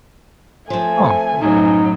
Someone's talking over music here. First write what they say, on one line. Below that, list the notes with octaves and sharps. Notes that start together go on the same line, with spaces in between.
Oh, coo
F3 A3 C4 G#5
F#2 A2 F#3 D#4